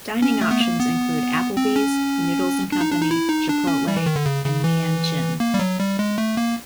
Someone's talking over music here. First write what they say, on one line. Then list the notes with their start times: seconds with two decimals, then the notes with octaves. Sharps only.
Dining options include Applebee's, Noodles and Company, Chipotle, and Leeann Chin.
0.22 C#4
0.41 A3
0.51 B3
0.61 A#3
0.79 B3
1.57 C4
1.76 C#4
2.72 D4
2.81 D#4
2.92 D4
3.01 D#4
3.11 E4
3.29 D#4
3.49 D4
3.67 C#4
3.88 G3
3.97 E3
4.06 D#3
4.16 D3
4.26 C#3
4.45 C#3
4.64 E3
5.40 A#3
5.54 G3
5.59 F#3
5.79 G3
5.99 G#3
6.18 A3
6.37 A#3